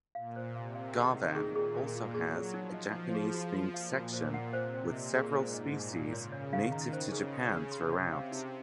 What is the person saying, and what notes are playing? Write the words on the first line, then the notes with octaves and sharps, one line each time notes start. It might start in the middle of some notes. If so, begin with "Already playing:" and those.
Garvan also has a Japanese-themed section with several species native to Japan throughout.
A#2 F5
C5
C3 F5
F5
D#3 G#4
F#5
A#2 G#4
G#4
G#4
F4
F#3 G#4
G#4
F3 D#4
D#5
D#4
G#4
F#4
F#4
A#2 F5
F#4
C5
F#5
C3 C5
C5
A#2 D#5
G#4
G#2 C5
D#5
A#2 D#4
D#4
C#3 C#5
C#5
D#3 F5
A#5
C#3 C5
G#4
C6
C#5
C3 C6
C#5
F5
D#4